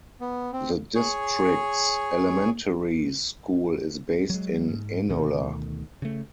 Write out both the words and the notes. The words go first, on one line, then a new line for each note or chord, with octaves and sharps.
The district's elementary school is based in Enola.
B3
C4
G#4 C#5
F#3 G#3
G#2
D2 B2 D#3 A3
C#3 A3